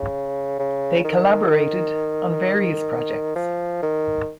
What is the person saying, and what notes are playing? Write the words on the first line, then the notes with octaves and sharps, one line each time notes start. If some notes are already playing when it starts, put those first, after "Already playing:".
They collaborated on various projects.
Already playing: C#3
C#3
D#3
F3
D#3